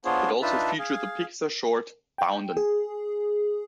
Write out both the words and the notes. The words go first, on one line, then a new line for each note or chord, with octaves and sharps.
It also featured the Pixar short "Boundin'".
B3 D4 F4 G#4 C5 C#5
D4 D#4 F4 B4 E5 A5
G#4 F5
G5
G#4